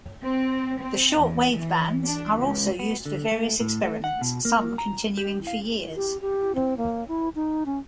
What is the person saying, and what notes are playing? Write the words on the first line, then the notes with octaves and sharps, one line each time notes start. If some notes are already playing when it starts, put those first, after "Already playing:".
The short wave bands are also used for various experiments, some continuing for years.
C4
C4
E2
E3
D4
C#2
B3
D3
A3
A2
A3
F#5
B2
A#3
A#5
G4
F5
G4
G4
C4
A#3
E4
D#4
C#4